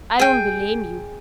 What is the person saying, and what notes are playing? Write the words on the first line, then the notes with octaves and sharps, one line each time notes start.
I don't blame you.
G#4 G5